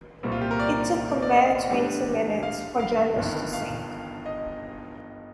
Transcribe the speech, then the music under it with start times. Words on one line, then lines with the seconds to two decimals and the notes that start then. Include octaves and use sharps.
It took a mere twenty minutes for "Janus" to sink.
0.23 C2 A#2 G3 C4
0.32 F4
0.41 G4
0.51 A#4
0.59 D5
1.22 D5
1.33 D#5
1.69 A2 G3 D4
2.43 F5
2.79 F5
3.16 G1 G2 D#3
3.53 F5
4.25 D#5